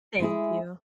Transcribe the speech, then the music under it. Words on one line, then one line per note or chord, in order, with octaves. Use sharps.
Thank you.
G#3 E4 G#4